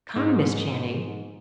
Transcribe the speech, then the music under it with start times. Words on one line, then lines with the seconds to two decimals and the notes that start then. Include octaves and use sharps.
"Come, Miss Channing."
0.16 G#2